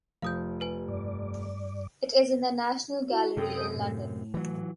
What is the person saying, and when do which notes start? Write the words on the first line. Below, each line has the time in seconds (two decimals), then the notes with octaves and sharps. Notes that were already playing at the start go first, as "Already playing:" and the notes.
It is in the National Gallery in London.
0.22 F1 F3 F5 D#6 G6
0.60 G4 B4 G#5
0.88 G2 D5
3.10 E4 F#4
3.37 F#2 C3 A4 G5 D#6
3.76 A2
4.34 E3 F#3